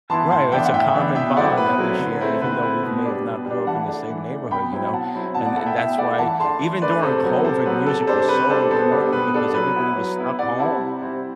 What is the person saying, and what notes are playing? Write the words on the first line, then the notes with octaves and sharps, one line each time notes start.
Right, it's a common bond that we share, even though we may have not grew up in the same neighborhood, you know? And and that's why even during COVID, music was so important, because everybody was stuck home,
E3 B3 E4 A5 C6
A2 A5 C6
E3 B3 D4 E5 G5
F#5
A2 E5 G5
E3 B3 D4
B2 E5 G5
F#3 A3 C4 E4 D5 F#5
B2 B4
F#3 A3 C4 E4
D3
A3 C4 E4
D3 B4
A3 C4 E4
B2
G3 D4
B2
G3
D4
E3 F#5 A5
A3 D4
E3
A3 D4
B2 G5 B5
F#3 C4 E4
B2 F#5 A5
F#3 C4 E4
B2 F#5 A5
D5 F#5
A3 E4 F#5 A5
E5 G5
B2 E5 G5
A3 E4 D5 F#5
E3 F#5 A5
A3 D4 A5 C6
E3
A3 D4 B4 D5
C3 A4 C5
F#3 B3
C3 A4 C5
F#3 B3 B4
C3 A4
G3 D4 A4 C5
C3 B4
G3 D4 A4 C5
B2 A4 C5
G3 B3 D4
B2 B4
G3 B3 D4 A4
F#3 B4
B3 E4
F#3
B3 E4
C3 D5 F#5
G3 C4 E4 F#5 A5
C3
G3 C4 E4